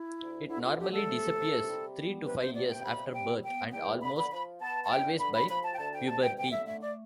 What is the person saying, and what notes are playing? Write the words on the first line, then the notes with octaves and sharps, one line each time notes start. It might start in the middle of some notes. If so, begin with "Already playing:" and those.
It normally disappears three to five years after birth and almost always by puberty.
Already playing: E4
D2
D3 E4
F4
A3 G4
A4
C3
C3
G3
B3
C3 B4
C5
C3 D5
G5
G3 B5
B3 G5
B3 G5
E2 G5
D3 B5
B5
F3 B5
B3 A5
A5
E2 G5
D3 B5
B5
F3 B5
A5
G5
D2 A5
G5
D2 A5
G5
D3 G5
E5
A3 E5
D5